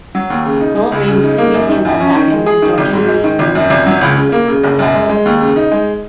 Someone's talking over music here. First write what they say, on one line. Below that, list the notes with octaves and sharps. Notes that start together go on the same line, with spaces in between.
Goldring soon became unhappy with the Georgian Group's political conservatism and left it.
F#3
D#2
C#3
D#4
G#3
C#2
C#3
D#4
A#3
F#2
D#3
F#2
C#4
D#3
G#3
G#4
D#3
G#1
G#2
G#3
D#3
G#1
F#2
G#1
F#3
C#2
C#3
A#3
C#3
F#1
F#2
G#3
G#3
D#2
C#3
D#4
G#3